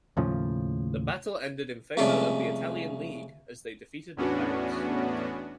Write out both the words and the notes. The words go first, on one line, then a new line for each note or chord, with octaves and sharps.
The battle ended in favor of the Italian league, as they defeated the pirates.
D#2 A2 C#3 F3
C2 F2 G#3 A3 C#4 D5
E2 A2 B3 C#4 D4 F#4